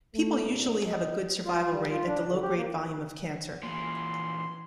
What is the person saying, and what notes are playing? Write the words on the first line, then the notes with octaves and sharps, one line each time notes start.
People usually have a good survival rate at the low grade volume of cancer.
A3
A#1
D#5
F4
F4
G3
F4
D4
D3
G4
A#3
A#2 E3 C6